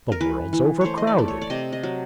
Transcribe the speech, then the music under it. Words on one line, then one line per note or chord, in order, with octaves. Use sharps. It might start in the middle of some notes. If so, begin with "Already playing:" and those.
The world's overcrowded.
A#4
E3 B4
E3
A3 C5 C#5
D#5
D5
A3
C#5
D5
C3 D#5
D#5
F#3